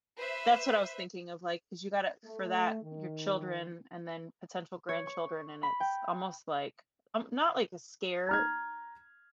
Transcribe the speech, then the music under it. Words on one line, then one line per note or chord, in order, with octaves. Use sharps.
That's what I was thinking of, like, 'cause you gotta for that, your children and then potential grandchildren, and it's almost like, um not like the scare,
B4 C5 E5
A3
D#3
C#5
C#6
B5
G5
A#5 F6 G#6